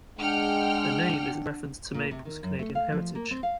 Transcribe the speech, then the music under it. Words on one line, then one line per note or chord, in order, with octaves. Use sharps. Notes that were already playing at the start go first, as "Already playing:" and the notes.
The name is a reference to Maple's Canadian heritage.
G#3 D4 F#5 G5 F6
A#2
C3
D#3
F#2
A3
F5
F3
A#3
C4
F5